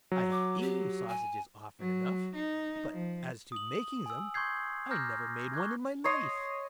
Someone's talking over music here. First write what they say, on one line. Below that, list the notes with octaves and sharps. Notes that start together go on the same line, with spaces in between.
I have eaten sausages often enough; but as to making them, I never made one in my life.'
F#3
D6
G4
G#5
F#3
D#4
F3
D#6 F#7
G#5 E6
C6 C#6 D#6 G6 G#6 C7
A#5 D6 F6 G6 A#6
C#6 D6 F#6 G#6
C#5 D#5 C6